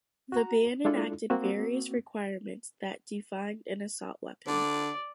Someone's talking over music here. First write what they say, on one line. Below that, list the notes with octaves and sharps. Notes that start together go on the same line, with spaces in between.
The ban enacted various requirements that defined an assault weapon.
F#4 A#5
G#3 D4 E4 F4 A4
A#3 C4 F#4
D3 D5